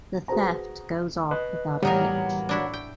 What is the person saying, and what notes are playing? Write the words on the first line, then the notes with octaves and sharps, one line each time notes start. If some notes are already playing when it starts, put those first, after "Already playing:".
The theft goes off without a hitch.
F#4 G#4 B4 C5 A#5
B4 D#5 F#6
A2 E3 F#3 G3 A#3 B3 D#4 A#4
D4 E4 F#4
G5